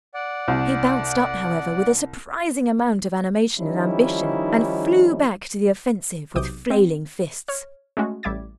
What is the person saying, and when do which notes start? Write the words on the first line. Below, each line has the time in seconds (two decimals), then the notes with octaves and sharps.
He bounced up, however, with a surprising amount of animation and ambition, and flew back to the offensive with flailing fists.
0.14 D5 F#5
0.48 C2
3.59 D#3 F3 G3 C#4 D#4 E4
6.35 B1 C3 D6 D#6 G6
6.70 C4
7.48 C#5 F6
7.97 G#3 A3 C#4 F#4
8.23 A1 G3 E5 D6 G#6 A6